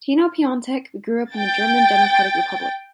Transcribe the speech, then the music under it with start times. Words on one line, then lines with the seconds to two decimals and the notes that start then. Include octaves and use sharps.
Tino Piontek grew up in the German Democratic Republic.
1.32 G5 A6